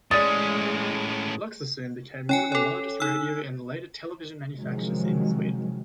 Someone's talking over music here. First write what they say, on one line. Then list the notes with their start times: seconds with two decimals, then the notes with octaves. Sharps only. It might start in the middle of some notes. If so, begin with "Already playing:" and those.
Luxor soon became one of the largest radio and later television manufacturers in Sweden.
0.11 A2 G#3 C#4 D5 D#6 A6
2.29 C#4 C#5 G5 G#5
2.52 A4 C#5
3.00 D#4 E6
4.57 C3 D#3 F3 F#3 G#3